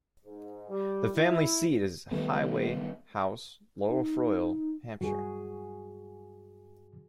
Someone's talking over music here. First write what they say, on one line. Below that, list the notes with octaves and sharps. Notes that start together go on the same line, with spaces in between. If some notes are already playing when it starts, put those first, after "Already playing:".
The family seat is Highway House, Lower Froyle, Hampshire.
G#2
G3
E4
D#3 G3 A3 B3
D#4
G2 F#4 G#4